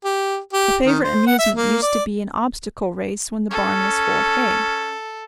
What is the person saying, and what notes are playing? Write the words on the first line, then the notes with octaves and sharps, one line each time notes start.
A favorite amusement used to be an obstacle race when the barn was full of hay.
G4
G4
D#3
C5
F#5
E5
A#3
D5
C#4 A4